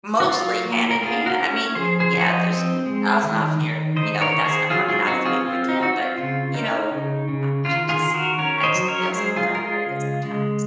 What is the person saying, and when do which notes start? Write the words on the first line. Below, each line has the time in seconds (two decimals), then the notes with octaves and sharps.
mostly hand in hand. I mean, yeah, there's a thousand off here, you know, that's not probably not as big of a deal, but you know, I I just I just feel so frustrated sometimes.
0.20 F#4
0.28 F#3 F4
0.65 A#3
0.91 A#4
1.02 A#3 F4 G#4
1.26 F#4 A#4
1.38 C#4
1.75 F3 G#4 C5
2.00 G#4 C5
2.13 F3
2.21 C#5
2.24 C5 D#5
2.50 C4
2.86 G#3
3.23 D#3
3.59 D#3
3.96 D#3 C5 D#5
4.21 A#4 C#5
4.33 D#3
4.45 G#4 C5
4.70 F#3 F4 G#4
4.88 F4 G#4
5.07 C4 D#4 F#4
5.25 F4 G#4
5.44 C4 F4
5.69 D#4
5.81 C4 F#4
5.94 F4
6.18 C#3 F4
6.54 C#4 D#4
6.91 C#3
7.28 C#3
7.65 D#3 F4
7.89 F4 G#4
8.02 D#3
8.14 F#4 A#4
8.39 C#4 A#4 C#5
8.63 C5 D#5
8.75 F#3
8.88 A#4 C#5
9.12 G#3 G#4 C5
9.36 F4 G#4
9.49 G#3
9.55 A#4
9.61 F4 G#4
9.86 C#3
10.23 G#3